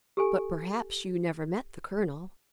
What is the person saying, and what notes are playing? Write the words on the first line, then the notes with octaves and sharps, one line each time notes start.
"But, perhaps, you never met the colonel."
G4 A4 G#5